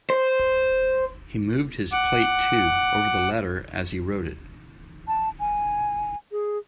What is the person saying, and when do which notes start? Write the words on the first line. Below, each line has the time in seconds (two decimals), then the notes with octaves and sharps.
He moved his plate, too, over the letter as he wrote it.
0.10 C5
1.92 F#5 D6
5.08 A5
5.40 G#5
6.32 G#4